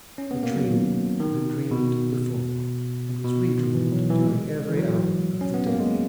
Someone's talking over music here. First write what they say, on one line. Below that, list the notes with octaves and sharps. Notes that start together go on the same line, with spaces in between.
The dream had been dreamed before, and was re-dreamed during every hour of the day.
C#4
B3
A#3
F#3
D#3
D#3
B2
B2
D#3
E3
F#3
E3
G#3
E3
F#3
C#4
B3
A#3
G#3